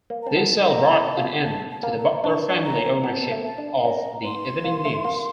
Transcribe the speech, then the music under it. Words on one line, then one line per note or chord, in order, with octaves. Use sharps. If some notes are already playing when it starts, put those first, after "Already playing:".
This sale brought an end to the Butler family ownership of the Evening News.
A#3
A#5
C4 A5
B3
C#4 A#5 C6
E4
A5
F4
A5
A5
A#3
A#5
D4 C#6
D4
A#5
C#4
B3 A5
A3
A5
D4
C#4 A#5
B3 C6
A#3
A3
A#3